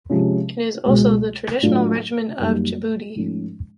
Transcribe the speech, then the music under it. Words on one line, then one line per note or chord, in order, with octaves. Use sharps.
It is also the traditional regiment of Djibouti.
C3 F3 G#3 C#4
C#2 B2 G#3
A2 F#3 A3 D4 F4
F#2 D#3 G3 A#3
G#2 F3 A3 C#4